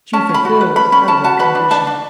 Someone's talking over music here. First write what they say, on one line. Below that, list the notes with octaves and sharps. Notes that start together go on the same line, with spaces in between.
"She fulfils every condition."
C#4 A5
C#4
B5
F#4
B4
C#4 B5
C#4 B5
C#4 A5
F#4 A5
B4 B5
D4
D4 A5
D4